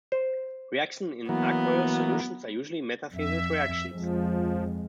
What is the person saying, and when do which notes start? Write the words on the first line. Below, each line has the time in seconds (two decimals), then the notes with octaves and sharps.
Reactions in aqueous solutions are usually metathesis reactions.
0.12 C5
1.29 E3 F#3 A#3 B3
3.14 F2 E5
3.91 F2 F3 G#3